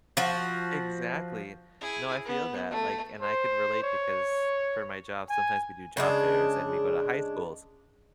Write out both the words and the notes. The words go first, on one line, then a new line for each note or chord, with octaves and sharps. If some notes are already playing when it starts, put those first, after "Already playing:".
Exactly. No, I feel that, like and I could relate because for my job, sometimes we do job fairs and we go to high schools,
F3 F#4
E4 G#4
B3
A3
C5
C#5
G#5
C#3 G#3 D4